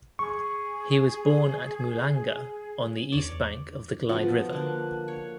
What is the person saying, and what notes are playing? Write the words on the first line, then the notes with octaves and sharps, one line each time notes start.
He was born at Mulanga, on the east bank of the Glyde River.
G#4 C#6
E2 C#5 D5 D6
F3 B3 F4 F#4
D3 A#3 F#6
C#5